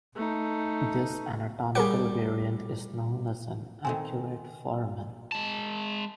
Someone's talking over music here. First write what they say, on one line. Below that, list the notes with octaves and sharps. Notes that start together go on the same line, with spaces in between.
This anatomical variant is known as an arcuate foramen.
A3 D#4
G3 G#4 A#4 C#5 D5 F#5
D#3 A3 C4 G#5
G#3 A5